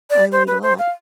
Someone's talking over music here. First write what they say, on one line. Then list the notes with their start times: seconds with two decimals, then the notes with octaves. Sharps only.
I learned a lot.
0.10 D5
0.32 C5
0.47 B4
0.62 C5
0.78 F5